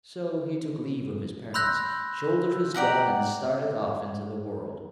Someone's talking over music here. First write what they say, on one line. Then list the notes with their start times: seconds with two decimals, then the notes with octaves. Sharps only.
So he took leave of his parents, shouldered his gun, and started off into the world.
1.54 B5 C6 E6 F#6 G6 A#6
2.74 G4 D5 F#5 A#5